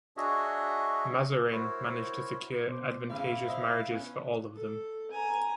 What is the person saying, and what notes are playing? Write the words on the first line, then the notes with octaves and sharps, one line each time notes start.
Mazarin managed to secure advantageous marriages for all of them.
D4 F#4 G#4 C#5 D#5 E5
E4 F#4 A#4 C5 C#5
B2 C5 D6
G#1 C#3 E4 F5
C5 D#5 E5
B3 C#4
A4
G#5 A#5